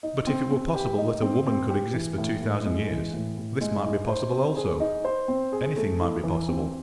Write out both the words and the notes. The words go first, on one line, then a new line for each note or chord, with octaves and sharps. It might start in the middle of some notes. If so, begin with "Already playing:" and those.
But if it were possible that a woman could exist for two thousand years, this might be possible also--anything might be possible.
D#4
C4
C4
G4
D#4
C4
C4
G4
E3
A2
A2
G#3
E3
A2
A2
G#3
D#4
C5
C4
G#4
D#4
C5
C4
G#4
A3
E4
E3
C4